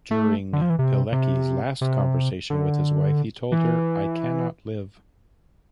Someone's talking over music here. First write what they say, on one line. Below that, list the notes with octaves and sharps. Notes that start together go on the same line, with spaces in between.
During Pilecki's last conversation with his wife he told her: I cannot live.
A3
D3
F3
E3
C3
C3
C3
D3
E3